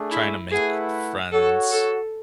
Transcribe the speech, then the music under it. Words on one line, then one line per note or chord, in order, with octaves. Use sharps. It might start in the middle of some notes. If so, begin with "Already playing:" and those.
trying to make friends
Already playing: A3 D4 G#4
E4
A3 E4 G#4 B4 F#5
F#4 A4 C#5 F#5
A4